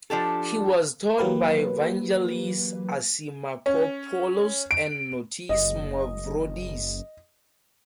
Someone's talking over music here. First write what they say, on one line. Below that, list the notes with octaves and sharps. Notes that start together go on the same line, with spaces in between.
He was taught by Vangelis Assimakopoulos and Notis Mavroudis.
F3 D4 G4 A4
E3 F#3 A#3 G4 B4
C#4
D7
F#1 D#5